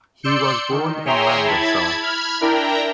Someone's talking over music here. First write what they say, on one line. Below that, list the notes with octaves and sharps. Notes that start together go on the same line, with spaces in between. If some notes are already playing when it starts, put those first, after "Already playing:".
He was born in Lambersart.
D5 C6 E6 G6 C#7
D#3
G#4 C#5 E5 G5 A#5 C6
E4 A5 B5 G#6
B5 F6 G#6
D4 E4 A#4 G5 A#5